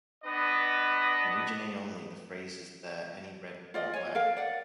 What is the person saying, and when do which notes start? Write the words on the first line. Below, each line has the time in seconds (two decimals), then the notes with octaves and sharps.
In Region A only, the phrase Is there any red port left?
0.24 B3 D4 B4 D#5
3.74 F4 D5 D#5
3.94 C#5 G#5
4.15 A4 A#4 F5
4.37 D5 F#5